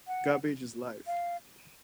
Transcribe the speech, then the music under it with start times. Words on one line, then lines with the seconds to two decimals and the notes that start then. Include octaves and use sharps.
Garbage is life.
0.07 F#5
1.07 F5